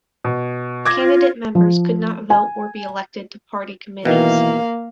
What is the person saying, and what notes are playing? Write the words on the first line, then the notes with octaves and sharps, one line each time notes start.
Candidate members could not vote or be elected to party committees.
B2
F4 D6 G#6 A#6
F3
G#5
B2 D#3 E3 A#3 F5